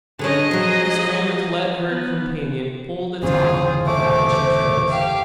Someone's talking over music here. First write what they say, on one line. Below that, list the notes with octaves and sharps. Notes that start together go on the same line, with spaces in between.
Miss Grammont let her companion pull the talk about as she chose.
D3 A3 C#4 G#4 D#5
F3 F#3
B3
G1 E2 C#3 F4 G#4 C5
A3 C5 D6
G4 F5